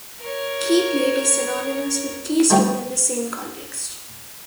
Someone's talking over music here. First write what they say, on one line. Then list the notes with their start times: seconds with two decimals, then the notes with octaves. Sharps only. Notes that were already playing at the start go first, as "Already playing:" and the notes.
Key plate is synonymous with "keystone" in the same context.
0.20 A#4 C#5
2.50 D3 F3 G3 A3 F#4 G4